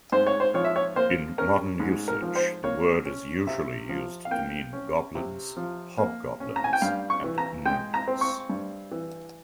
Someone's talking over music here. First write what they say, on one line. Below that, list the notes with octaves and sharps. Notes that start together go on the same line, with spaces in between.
In modern usage, the word is usually used to mean goblins, hobgoblins and gnomes.
G#2 C5
C#5
C5
F3 C#5
E5
C#5
A#3 C5
C#4 A#4
G#2
A#4
F3
C5
A#3 C#5
C#4
C3 E5
F3
F5
A#3 G5
C#4
C3
F3
A#3
C#4
A#5
G#5
G5
G2 F5
C#6
E3
A#5
G#3 G5
A#5
C4
C#6
G2
E3